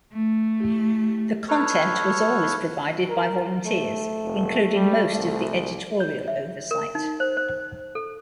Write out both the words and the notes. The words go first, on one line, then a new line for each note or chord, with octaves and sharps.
The content was always provided by volunteers, including most of the editorial oversight.
A3
A4 B4 C#5 C#6 F6
A#4
A3
F1
G3
C2
C#5
E5
A#4
D#4
C5
C5
A4